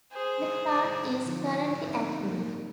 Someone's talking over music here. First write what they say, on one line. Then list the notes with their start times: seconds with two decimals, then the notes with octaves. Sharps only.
The plant is currently active.
0.12 G#4 C5
1.26 D3 F3 D#4 F4 C5
1.87 C4 D4 D#4 E5
2.20 A#3 G4